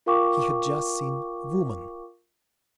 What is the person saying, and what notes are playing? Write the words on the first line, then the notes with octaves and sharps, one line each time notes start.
He had just seen Woman.
F4 A#4 F5 G5 C#6 D6